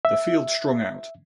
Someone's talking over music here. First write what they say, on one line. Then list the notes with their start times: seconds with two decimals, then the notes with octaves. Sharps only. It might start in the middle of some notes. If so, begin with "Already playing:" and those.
The field strung out.
0.05 E5